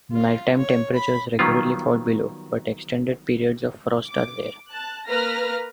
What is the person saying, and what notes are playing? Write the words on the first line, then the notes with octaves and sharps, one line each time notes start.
Nighttime temperatures regularly fall below but extended periods of frost are rare.
F4
C#5
B5
D#3 F#3 G3 B3 F4
D6
A5 F#6
A#3 B4 A#5 F6 A#6